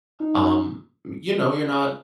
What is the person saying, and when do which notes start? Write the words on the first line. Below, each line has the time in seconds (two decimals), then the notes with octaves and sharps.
um, m you know, you're not,
0.20 D#4